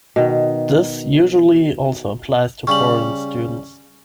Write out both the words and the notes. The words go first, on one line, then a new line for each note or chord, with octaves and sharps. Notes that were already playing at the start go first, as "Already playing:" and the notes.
This usually also applies to foreign students.
B2 D#3
C#3 G3 C#6 F#7